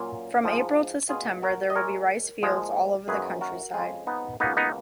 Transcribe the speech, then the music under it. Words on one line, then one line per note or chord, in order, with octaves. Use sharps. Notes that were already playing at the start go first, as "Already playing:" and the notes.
From April to September there will be rice fields all over the countryside.
Already playing: A#2 F#3 A#3 C#4 F4
G#2 F3 G#3
C#2 B2 A#3 F4 G#4
F#4 A#4
D#5
A#2 G#3 A#4 C#5
A#2 F3 G#3
F#2 D#3 F#3 A#3 G#4 B4
F#4 A#4
F2 C#3 G#3 F4 G#4
B3 D#4
C#2 B2 A#3 B3 D#4
B3 D#4